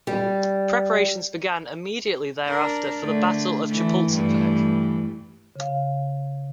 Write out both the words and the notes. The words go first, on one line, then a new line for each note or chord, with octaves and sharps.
Preparations began immediately thereafter for the Battle of Chapultepec.
G3
D4 A#4
D3 A3 D4
E3 A3
G2 E3 A3
C#3 F5